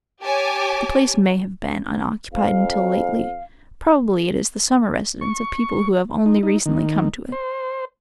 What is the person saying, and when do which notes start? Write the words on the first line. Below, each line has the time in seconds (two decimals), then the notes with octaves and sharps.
The place may have been unoccupied until lately--probably it is the summer residence of people who have only recently come to it.
0.22 G4 C#5 G#5 A5 D6
2.33 F2 F5
5.21 C#6
6.26 D#4
6.43 D#4
6.66 D#3
7.32 C5